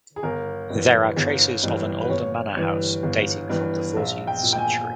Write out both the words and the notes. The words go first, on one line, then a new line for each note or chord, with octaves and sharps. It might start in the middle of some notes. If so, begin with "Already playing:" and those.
There are traces of an older manor house dating from the fourteenth century.
G#4
G1 A#4
G2 E3
G1
G2 E3
B4
G1 C#5
G2 E3
G1
G2 E3
A#1 E5
G5
A#2
G5
G#5